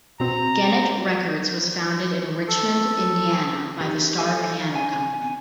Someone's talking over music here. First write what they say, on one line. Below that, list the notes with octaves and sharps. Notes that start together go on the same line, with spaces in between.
Gennett Records was founded in Richmond, Indiana, by the Starr Piano Company.
B2 C4 A#5
A4
E3 D#4 G4
A4 D#5 F5 G#5
G#5